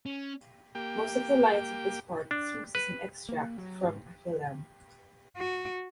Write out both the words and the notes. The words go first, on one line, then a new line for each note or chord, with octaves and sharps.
Most of the lines of this part seems as an extract from Akilam.
C#4
A#3 G4 G5
D4
B4
A#3
F#3
G#2
F#4